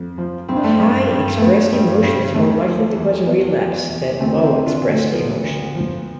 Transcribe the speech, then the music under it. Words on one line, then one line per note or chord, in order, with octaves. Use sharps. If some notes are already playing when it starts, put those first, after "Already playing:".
High expressed emotion is more likely to cause a relapse than low expressed emotion.
Already playing: F2
F3
G2 C4
D4
A3 C4
G2
G2
A3
G2 B3
G2
G2
E2 A3
F3
E2
E2 B3
F3
E2
D2 A3 C4
C4 E4
C3
D4 F4
D2
A3
F3 B3
D2
F3